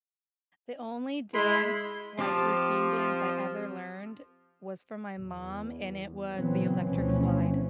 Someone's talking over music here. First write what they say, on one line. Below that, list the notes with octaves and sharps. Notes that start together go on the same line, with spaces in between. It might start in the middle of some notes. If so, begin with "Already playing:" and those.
The only dance, like, routine dance I ever learned was from my mom, and it was the electric slide.
G#3 E4 B5 C6
F3 C4 G4 A5
E2
A#2 C#3 E3 F#3 B3 C4
D2 B2 E3 F3 C4 C#4